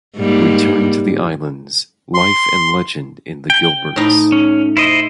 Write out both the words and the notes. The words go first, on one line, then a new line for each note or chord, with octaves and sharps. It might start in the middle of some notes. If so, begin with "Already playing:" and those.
Return to the Islands: Life and Legend in the Gilberts.
G#2 G3 A#3
C6
G5
A2 D#4
C#4
E4 C5 D#5